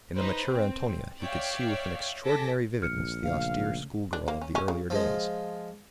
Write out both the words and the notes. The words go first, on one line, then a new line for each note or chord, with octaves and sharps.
In the mature Antonia he could see with an extraordinary vividness the austere schoolgirl of the earlier days.
D#4 B4 C5
C4
C#5 D5 E5 F5 G5
A4 G#5 A5 D6 A#6 B6
A#1 F6 C#7
C#3 A3 F5
D4
A#3
C#4
C#4
C#3
F3 G#3